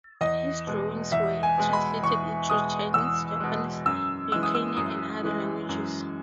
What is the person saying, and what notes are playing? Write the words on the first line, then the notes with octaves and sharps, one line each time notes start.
His drawings were translated into Chinese, Japanese, Ukrainian, and other languages.
E2 D#5
B2 G#3
E2 E5
G#5
B2 G#3
B5
E2 C#6
B2 G#3 D#6
E2 E6
B2 G#3
F#2 E6
E3 G#3 E6
D#6
E6
F#2 D#6
E3 G#3
F#2